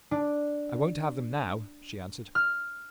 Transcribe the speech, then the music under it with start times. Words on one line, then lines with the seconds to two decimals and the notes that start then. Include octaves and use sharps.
'I won't have them now,' she answered.
0.11 D4
2.35 F6